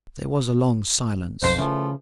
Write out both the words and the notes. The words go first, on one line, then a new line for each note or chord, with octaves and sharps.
There was a long silence.
B1 F2 C5
C#3 E3 F3 A3